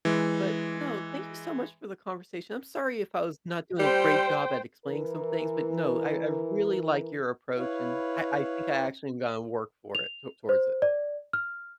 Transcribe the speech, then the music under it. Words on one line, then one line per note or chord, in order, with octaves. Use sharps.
but no, thank you so much for the conversation. I'm sorry if I was not doing a great job at explaining some things, but no, I I really like your approach and I I think I actually am gonna work for it t towards it.
E3 G#3
G3 C5 G5
E3 A#4
E4 B4 C#5 F5
F7
C5
D5
F6